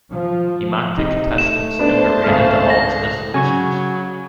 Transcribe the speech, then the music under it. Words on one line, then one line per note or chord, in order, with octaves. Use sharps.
He mocked the contestants and berated the alts as "losers".
F3
C3 D#4
A3 E7
B3 D4 C5 D5 A5
G#1 C#2 F6
A4 D5 A#6
C#3 F#3 G#5 C#6 G#6